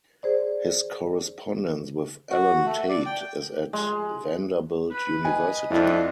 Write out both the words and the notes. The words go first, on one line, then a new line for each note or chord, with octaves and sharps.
His correspondence with Allen Tate is at Vanderbilt University.
G#4 C5 D5
F#4
A3
D5
G5
G#3
B4
D#5 G#5
F2 D4 E4